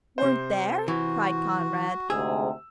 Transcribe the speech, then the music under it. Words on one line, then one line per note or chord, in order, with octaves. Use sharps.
"Weren't there?" cried Conrad.
C3 C5
E3 F#4
D2 G#2 C3 G#4 E6